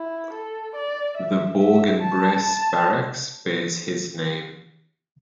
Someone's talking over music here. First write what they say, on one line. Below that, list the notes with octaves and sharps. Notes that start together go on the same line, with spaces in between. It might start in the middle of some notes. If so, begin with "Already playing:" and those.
The Bourg-en-Bresse barracks bears his name.
Already playing: E4
A4
D5
E5
E5
A5
A5